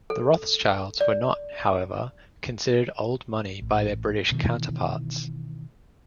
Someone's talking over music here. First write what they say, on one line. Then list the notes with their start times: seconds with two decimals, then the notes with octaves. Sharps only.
The Rothschilds were not, however, considered "old money" by their British counterparts.
0.10 A4
1.01 D5
3.62 A1
4.32 B2 D#3 E3